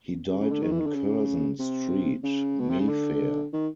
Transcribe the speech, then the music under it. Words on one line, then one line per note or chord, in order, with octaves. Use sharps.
He died in Curzon Street, Mayfair.
C#3
C#3
D3
D#3
E3
D#3
D3
C#3
C3
C#3
B2
C3
C#3
D3
D#3